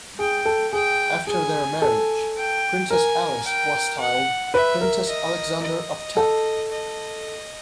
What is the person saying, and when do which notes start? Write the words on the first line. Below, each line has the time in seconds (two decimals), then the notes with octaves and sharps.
After their marriage, Princess Alice was styled Princess Alexander of Teck.
0.19 G#4 G5
0.46 A4
0.73 G#4 G5
1.27 G#4 G#5
1.82 A4
2.37 G5
2.90 A#4 G#5
3.46 G5
3.99 F#5
4.54 B4 E5
4.81 A#4
5.09 D#5
5.63 D#5
6.17 A4
6.71 D#5